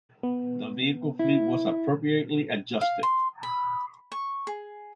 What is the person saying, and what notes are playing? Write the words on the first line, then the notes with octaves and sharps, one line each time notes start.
The vehicle fleet was appropriately adjusted.
B3
E4
F5
C6
B5
C#6
G#4